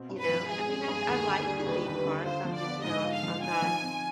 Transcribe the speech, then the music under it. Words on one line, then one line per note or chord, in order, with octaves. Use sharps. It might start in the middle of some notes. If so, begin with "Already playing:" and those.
You know? I mean, I'd I like the theme parks. I'm just, you know I'm I'm not
Already playing: B2 C4
G2
B4
F3
G#1 G#4
C4
G2
D#2
D3
G3
D#2 B4
D#2
D3
F4 C5
F3
D5
B3
G#2 D#5
F4
F5
F3
D#4 G#5
F3
C4